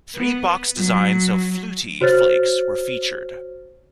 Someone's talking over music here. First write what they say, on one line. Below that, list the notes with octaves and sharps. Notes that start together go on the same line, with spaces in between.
Three box designs of Flutie Flakes were featured.
B3
F#3
F#4 C5 C#5 F6 A6